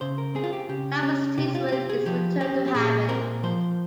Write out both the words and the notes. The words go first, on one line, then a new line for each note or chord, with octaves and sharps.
Thomas Theisman is returned to Haven.
C#3 C5
A#4
C4 G#4
F4
G4
C#3 G4
C#4
C3 G4
F4
F4
C4 G4
G#4
F3 G4
C#4 G4
G4
A#2 G#4
C4 A#4
F3 C5